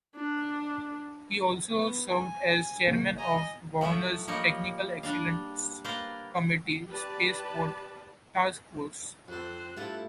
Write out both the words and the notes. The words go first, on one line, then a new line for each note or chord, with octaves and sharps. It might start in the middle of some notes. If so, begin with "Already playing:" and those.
He also served as Chairman of the Governor's Technical Excellence Committee Spaceport Task Force.
D4
B3
G#5
G#1 C3 A#3 F#4
D#5 G#5 A#5
F3 F#3 A3 E5
F3 G3 A#3 D#4 C#5
G3 D4 F5
A#3 B4 C5 D5 F5 G5
G4 B4 D5 A5
F2 C4 A4 C5 F#6
G2 A3 E4 F4 A4 A5